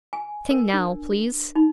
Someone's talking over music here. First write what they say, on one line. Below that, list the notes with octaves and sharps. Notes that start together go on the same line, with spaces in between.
'Sing now, please.'
G#5
A#4
D4
D#4